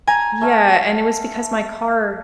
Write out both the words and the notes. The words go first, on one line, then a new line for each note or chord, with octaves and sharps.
Yeah, and it was because my car
G#5 A#5
A3 F5